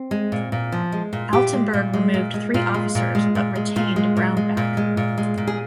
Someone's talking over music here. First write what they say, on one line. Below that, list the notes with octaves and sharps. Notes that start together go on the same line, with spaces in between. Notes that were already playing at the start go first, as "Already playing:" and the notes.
Altenburg removed three officers but retained Brownback.
Already playing: C4
G#3
A#2
A#2
F3
G#3
A#2
A#2 G4
G#3
A#2
G#3
A#2
G#3
A#2 F4
G#3
A#2
G#3
A#2
G#3
A#2 F4
G#3
A#2
G#3
A#2
G#3
A#2
G#3
A#2
G#4